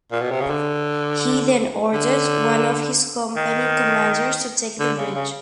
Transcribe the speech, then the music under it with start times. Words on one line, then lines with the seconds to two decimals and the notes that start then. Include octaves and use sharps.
He then ordered one of his company commanders to take the ridge.
0.12 A#2
0.21 B2
0.31 C3
0.41 C#3
0.50 D3
1.93 D3
3.37 D#3
4.80 D3
4.98 C#3
5.16 C#3